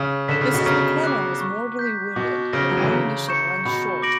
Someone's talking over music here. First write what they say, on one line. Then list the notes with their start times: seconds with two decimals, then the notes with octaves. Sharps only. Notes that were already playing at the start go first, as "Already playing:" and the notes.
Mrs. McKlennar is mortally wounded and ammunition runs short.
Already playing: C#3
0.28 D3 B6 E7
0.41 C#3
0.54 B2
0.66 C#3 A#5
1.04 D6 F#6
1.41 C#6
1.79 G6 B6
2.15 B2 D6
2.53 C#3 A#6 D7 G7
2.70 F#3
2.77 E3
2.84 D3
2.91 C#3 A#5
3.28 C#6 G6 C#7 E7
3.65 B2 B5
4.02 D6 A#6 D7 F#7